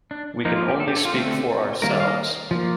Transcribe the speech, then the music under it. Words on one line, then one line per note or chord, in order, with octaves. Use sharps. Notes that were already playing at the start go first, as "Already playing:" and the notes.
We can only speak for ourselves.
D4
F3 A#3 D#4
F4
G4
A4
G4
A4
F4
D3 A3 C4 A4
D#3 G3 A#3 A#4
D5
F5
D#5
F3 A#3